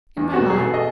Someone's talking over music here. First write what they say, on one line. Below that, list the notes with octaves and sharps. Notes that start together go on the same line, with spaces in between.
"In my lap."
E2
B2 F#4
G#4
B2 A4
D#5